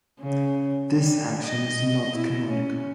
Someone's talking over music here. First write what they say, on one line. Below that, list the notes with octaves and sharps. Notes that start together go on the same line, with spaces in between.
This action is not canonical.
C#3
G3
D#5
E4
C#4